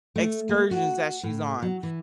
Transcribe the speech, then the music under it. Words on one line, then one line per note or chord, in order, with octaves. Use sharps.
excursions that she's on.
A3
A#3
F#4
A2
F#3
E3